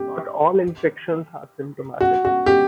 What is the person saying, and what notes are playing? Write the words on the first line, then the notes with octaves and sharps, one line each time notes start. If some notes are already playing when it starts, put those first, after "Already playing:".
Not all infections are symptomatic.
Already playing: G4
F#4
F#4
G4